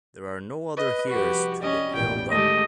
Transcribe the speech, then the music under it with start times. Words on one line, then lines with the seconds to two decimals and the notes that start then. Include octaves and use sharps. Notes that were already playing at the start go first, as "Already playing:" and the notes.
There are no other heirs to the earldom.
0.77 B4 D#5
1.10 C2 F2 F#4 G4
1.62 G3 C#4 D#5
1.95 A1 E2 B2 G5
2.31 D#3 G#3 A3 G4 D#5